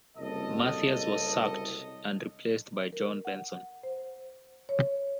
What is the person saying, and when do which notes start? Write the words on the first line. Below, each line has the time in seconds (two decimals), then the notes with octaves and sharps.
Mathias was sacked, and replaced by John Benson.
0.16 F#1 C2 A4 D#5
2.93 A#4
3.25 F#5
3.83 C5
4.69 C#5